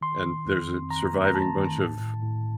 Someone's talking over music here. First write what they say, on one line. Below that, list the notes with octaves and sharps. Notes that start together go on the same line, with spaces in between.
and there's a surviving bunch of
D#3 C6
D#3
F2
C4
D#3 A#5
A3
A#5
A3 A5
D#3
A2
A2
A2